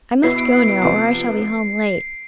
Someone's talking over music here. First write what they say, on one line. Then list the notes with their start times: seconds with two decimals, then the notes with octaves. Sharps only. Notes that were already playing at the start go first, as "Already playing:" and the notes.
I must go now or I shall be home late.
0.23 B2 B3 E4 C7
0.38 D7
0.53 C7
0.68 D7
0.82 C3 F3 B3 C7